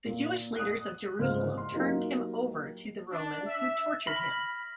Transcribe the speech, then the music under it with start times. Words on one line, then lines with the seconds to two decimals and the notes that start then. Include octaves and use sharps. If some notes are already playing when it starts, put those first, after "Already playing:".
The Jewish leaders of Jerusalem turned him over to the Romans, who tortured him.
0.06 A#2
0.56 D#6 F#6
1.19 C#2 G#2 C5 F6
1.58 C6
1.72 F#3 A#3 D#4 F4 G4
3.12 D4
3.46 E5
4.07 B5 F6 A#6 B6